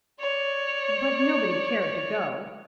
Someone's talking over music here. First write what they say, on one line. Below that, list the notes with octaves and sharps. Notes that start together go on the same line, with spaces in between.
But nobody cared to go.
C#5 D5